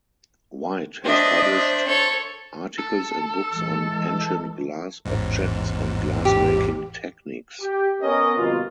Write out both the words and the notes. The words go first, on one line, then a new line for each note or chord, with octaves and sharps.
Wight has published articles and books on ancient glass objects and glass making techniques.
D4 C5 D#5 E5
C5
A4 C#5
A4
E3 G#3
A1 E2 G#2
G4
G4
B3 C#4 A#4 D#5
G1 F2 B2 A#3 F4